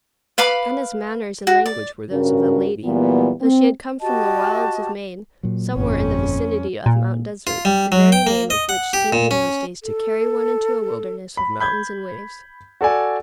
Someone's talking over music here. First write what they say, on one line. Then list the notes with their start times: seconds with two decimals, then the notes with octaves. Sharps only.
Anna's manners and language were those of a lady, though she had come from the wilds of Maine, somewhere in the vicinity of Mount Desert, the very name of which seemed in those days to carry one into a wilderness of mountains and waves.
0.38 B4 F5 B5 D6
1.47 F#4
1.66 D5
2.10 G2 C#3 C#4 F#4 A#4
2.85 A#2 E3 F#3 G3 B3
3.41 C4
4.00 F#4 G4 D#5 A5
5.43 A#2 F#3
5.76 G1 F2 A#2 C#4
6.86 A#2
7.47 F4
7.65 G3
7.92 F#3
8.12 G5
8.27 A#3
8.50 D#5
8.69 F#5
8.93 G4
9.13 A#2
9.31 C#4
9.83 A4
11.37 B5
11.60 B5 G6 G#6
12.81 F#4 A4 D5 G#5